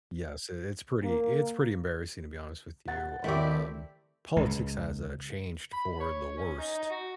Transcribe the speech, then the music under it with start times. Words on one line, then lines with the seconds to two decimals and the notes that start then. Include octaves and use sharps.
yes, i it's pretty it's pretty embarrassing, to be honest with you, um, politics has, uh, changed for the worst.
1.04 A#3
2.88 F#5 A6
3.24 D#3 A3 C4 E4 G4 D5
4.37 C#2
5.73 B5
6.00 C#5
6.37 C#4
6.58 D#4
6.75 D#4
6.90 F#4